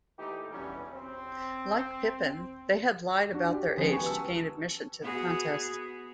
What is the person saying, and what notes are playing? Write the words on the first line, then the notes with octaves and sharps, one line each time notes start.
Like Pippin, they had lied about their age to gain admission to the contest.
A#2 E3 A3 D#4 G4
E2 G2 E3 F#3 G3 C#4
C4
D4 F#4
G4
C#3 F3 G#3 B3 G5
B4 G#5 C#6
A5 E6
B3 F#4 G#4